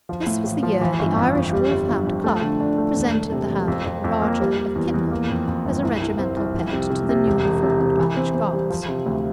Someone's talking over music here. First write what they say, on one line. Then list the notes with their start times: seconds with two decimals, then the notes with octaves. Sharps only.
This was the year the Irish Wolfhound Club presented the hound Rajah of Kidnal as a regimental pet to the newly formed Irish Guards.
0.09 F3
0.27 A2
0.45 A1
0.63 F3
0.81 E3
0.99 G1
1.17 F2
1.35 F2
1.53 G3
1.70 G1
1.89 G1
2.07 F2
2.24 A3
2.42 D3
2.60 D4
2.78 A3
2.96 E1
3.14 E1
3.32 C3
3.50 E1
3.68 F2
3.86 F2
4.04 F2
4.22 A#3
4.40 G3
4.57 G3
4.75 E2
4.94 E2
5.11 A#3
5.29 F2
5.47 F2
5.65 G1
5.83 C2
6.02 C2
6.19 C4
6.37 C2
6.55 F2
6.73 C3
6.90 C3
7.09 C3
7.27 E1
7.44 E1
7.63 C3
7.80 C3
7.98 E3
8.17 C4
8.35 C4
8.52 G3
8.70 F3
8.89 C3
9.06 D2